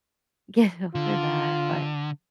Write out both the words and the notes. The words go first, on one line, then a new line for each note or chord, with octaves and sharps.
get over that," but
D3 F4